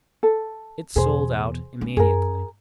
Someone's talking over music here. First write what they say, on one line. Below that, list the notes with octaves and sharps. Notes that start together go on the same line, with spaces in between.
It sold out immediately.
A4
E2 B2 G#4 C5
C#4
F#2 G#4 A#4